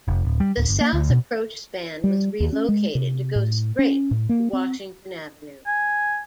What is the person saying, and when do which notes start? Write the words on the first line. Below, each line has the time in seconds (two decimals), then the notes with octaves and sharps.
The south approach span was relocated to go straight to Washington Avenue.
0.08 F1
0.25 D1
0.40 G3
0.57 D1
0.69 G1
0.81 A#3
0.93 D2
1.10 B2
2.04 G3
2.40 D#2
2.53 C#4
2.69 G#3
2.95 C3
3.36 A2
3.79 C#4
4.11 A2
4.29 A#3
4.53 C4
5.66 G#5